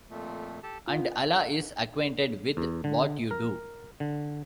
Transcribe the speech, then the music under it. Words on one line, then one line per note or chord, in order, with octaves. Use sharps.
And Allah is Acquainted with what you do.
F2 A#2 A3
G4 A4 A5
B3 F4
E2
D3
A#4
D3